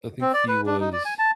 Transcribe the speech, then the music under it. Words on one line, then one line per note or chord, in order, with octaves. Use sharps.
I think he was
C4
D5
B4
D4
D#4
D5
G#5
A5